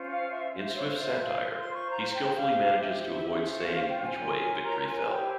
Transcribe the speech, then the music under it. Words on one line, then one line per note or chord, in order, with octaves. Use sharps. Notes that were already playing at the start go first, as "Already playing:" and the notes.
In Swift's satire, he skilfully manages to avoid saying which way victory fell.
Already playing: C#4 F4 C5
F5
E5
F4 C5 E5
C#5
E5
F5
F4 C5
C6
C#6
A#5
G5
G4 C5 F5
F5
E5
C#4 F4 C5
F5
G5
G#5
F4 A#4 C#5
A#5
G#5
E4 G4 C5 G5